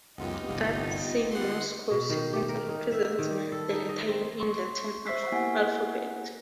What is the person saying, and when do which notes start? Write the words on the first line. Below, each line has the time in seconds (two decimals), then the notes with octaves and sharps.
That same Morse code sequence represents the letter U in the Latin alphabet.
0.18 C#2 F#2 B3 D#4 F4 G4
0.49 G1 C2
1.31 D3 D#4 F#5 C6
1.91 B2
2.10 D#3
2.33 G4
2.49 A#4
2.69 D#4
2.92 E5
3.19 D#3
3.31 G3
3.52 A4
3.73 D#4
3.89 D#5
4.09 C4
4.40 C6 C#6
5.06 C5 E5 C#6 E6 B6 C7
5.32 A#3 B3 E4 G4 F#5 G#5